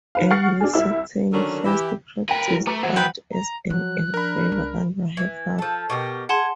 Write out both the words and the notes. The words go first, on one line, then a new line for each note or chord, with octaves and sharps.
Emily Sartain first practised art as an engraver under her father.
D#3 B4 F5
F#5 C#6 F6 A6 C7
D4 F#4 G#4
C2 E4 E6
D3 D#3 F#3 C#4 D4 A#4
E3 E4 G4
A#4 B4 F5 G5
E3 F#3
A3 B4 A#5 D6
E3 F#3 C5 F#5
B4 G5
A#5
F3 F#3 F#6
D4 A#4 B5
C#2
E3
F3 A4
B2 G4 A#4
G#4 F#5 A5 C6